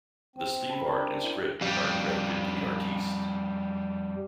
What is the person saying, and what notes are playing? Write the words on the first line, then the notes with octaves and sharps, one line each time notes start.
The sleeve art and script are credited to the artiste.
C4
A5 B5
D4 A#4
E4
F2 G3